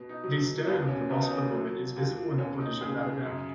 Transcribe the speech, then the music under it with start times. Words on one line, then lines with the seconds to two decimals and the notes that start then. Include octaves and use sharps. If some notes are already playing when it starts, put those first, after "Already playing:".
The stern of the Vosper boat is visible in the footage of that event.
Already playing: B2
0.09 D#4
0.24 F#3
0.67 D#2 B3
0.88 C#4
1.09 D#2 B3
1.21 D#4
1.31 C#4
1.52 F#3
1.96 D#2
2.38 D#2 C#4
2.61 D#4
2.81 C#3 G#4
3.03 G#4
3.25 F#2